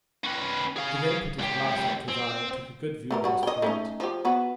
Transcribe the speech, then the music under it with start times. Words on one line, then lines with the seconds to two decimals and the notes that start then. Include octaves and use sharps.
He then put his glass up to his eye and took a good view of us through it.
0.24 C#4 B4
0.76 G#4 F5
1.39 C#2 G4
2.09 C4
3.11 A3 G4 A#4
3.24 G3 F#4
3.43 D#5 G5
3.62 A3 C#4 D#4
4.00 F3 G4
4.25 B3 F#4